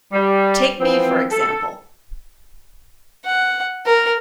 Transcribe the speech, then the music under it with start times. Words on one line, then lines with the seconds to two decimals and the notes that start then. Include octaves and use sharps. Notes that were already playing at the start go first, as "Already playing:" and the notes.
Take B for example.
0.13 G3
0.79 E3 F3 B3 C4
1.31 A4
3.26 F#5
3.86 A#4